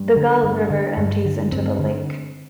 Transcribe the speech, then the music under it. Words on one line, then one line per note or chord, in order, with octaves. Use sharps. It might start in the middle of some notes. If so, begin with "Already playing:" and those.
The Gull River empties into the lake.
Already playing: G2 G3
D3
G2
D3
G2 A3
D3
G2 C4
D3